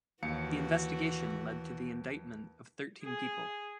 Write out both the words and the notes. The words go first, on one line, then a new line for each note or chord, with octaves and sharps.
The investigation led to the indictment of thirteen people.
D#2 E3 F#4 F5 C#7
G#4